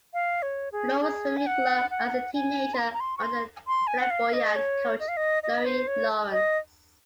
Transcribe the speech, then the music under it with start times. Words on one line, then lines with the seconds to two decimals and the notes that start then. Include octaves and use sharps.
Lawrence Swimming Club as a teenager under flamboyant coach Laurie Lawrence.
0.14 F5
0.42 C#5
0.72 G#4
1.01 G#4
1.37 G#5
1.47 F#5
1.91 F#5
2.34 G#5
2.74 C6
2.79 A#5
2.93 A#5
3.00 C6
3.17 C#6
3.23 C6
3.67 C6
3.87 G#5
3.98 F#5
4.10 F5
4.33 D#5
4.56 C#5
5.00 D#5
5.08 F5
5.17 D#5
5.43 D#5
5.65 C5
5.87 C#5
6.32 D#5